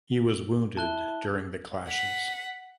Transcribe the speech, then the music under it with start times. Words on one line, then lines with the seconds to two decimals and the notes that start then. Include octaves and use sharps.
He was wounded during the clashes.
0.77 E4 A5 F#6 G7
1.88 F#5 B6